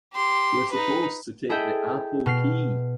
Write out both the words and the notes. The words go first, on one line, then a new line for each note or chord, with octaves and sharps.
We're supposed to take the Appel Quay!
G4 C6
D#4 B4
E4 G#4 A4 D#5 E5 G5
B2 F6 C7